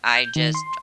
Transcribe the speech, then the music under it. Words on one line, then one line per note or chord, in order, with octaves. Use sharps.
I just
G6
D#3
C6